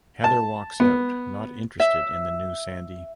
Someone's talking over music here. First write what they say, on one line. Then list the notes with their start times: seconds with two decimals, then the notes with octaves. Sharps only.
Heather walks out, not interested in the new Sandy.
0.24 A5
0.80 B3
1.80 E5